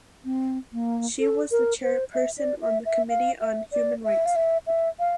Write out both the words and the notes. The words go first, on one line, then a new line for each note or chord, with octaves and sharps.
She was the Chairperson on the Committee on Human Rights.
C4
A#3
A4
A#4
C5
E5
D5
E5
E5
F5
E5
D5
E5
F5
E5
E5
F5